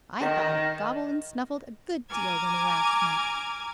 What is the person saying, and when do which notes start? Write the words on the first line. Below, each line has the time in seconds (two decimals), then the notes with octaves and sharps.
"I thought it gobbled and snuffled a good deal when we last met!"
0.20 D#3
2.10 G#5 A#5 D6 F6 G#6